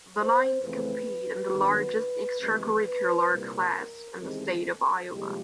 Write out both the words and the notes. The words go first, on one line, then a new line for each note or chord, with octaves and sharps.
The Lions compete in the largest extra curricular class in the state of Iowa.
C5
F2 C#3 E3 A3 C4 B4
G2 D#3 F#3 B3
E2 C3 F3 G#3 C4 B4
B4
C2 A#2 G3 A#4
E2 C3 D#3 G#3 C4 A4
C2 A#2 F3 G#3 G4